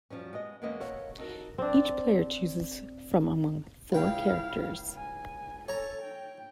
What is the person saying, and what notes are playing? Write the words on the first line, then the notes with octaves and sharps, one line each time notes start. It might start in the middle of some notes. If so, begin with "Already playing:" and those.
Each player chooses from among four characters.
F#2 F3 G3 C#4
G#3 B3 D#5
E2 G#3 A#3 B3 C#4 D#5
A4 A#4 C#5 F5 F#5
D#4 F#4 A4 A#4
C4 D4
C#2 E4 F5 G5
G#5
A4 C#5 A#5
G5